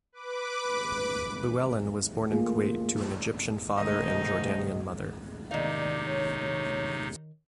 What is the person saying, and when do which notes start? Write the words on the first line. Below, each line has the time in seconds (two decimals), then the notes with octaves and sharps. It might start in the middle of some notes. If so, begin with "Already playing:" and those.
Llewellyn was born in Kuwait to an Egyptian father and Jordanian mother.
0.12 B4 D6
2.31 A3 A#3 F4 G#4
3.78 G#2 C3 D#3 A3 D#4 D#5
5.51 C3 D#3 D#4 D5 F5
6.07 C#5